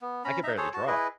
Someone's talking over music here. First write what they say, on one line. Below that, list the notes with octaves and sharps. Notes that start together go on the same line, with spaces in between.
I can barely draw.
B3
C#4 A#5 B5
D#4 E5 A#5
G#4 A4 C5 C#5
F#4 A5
E4 G#4 B4 D#5